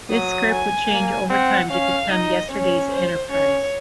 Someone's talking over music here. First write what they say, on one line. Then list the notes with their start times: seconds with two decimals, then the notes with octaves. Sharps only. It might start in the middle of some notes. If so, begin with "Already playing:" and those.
This script would change over time to become "Yesterday's Enterprise".
0.10 F#3 D#6
0.51 G#5
0.90 A#3
1.30 C4 F#5
1.70 C#4 F5
2.10 D#4 D#5
2.50 C#4 C#5
2.90 C5
3.30 C#4 C#5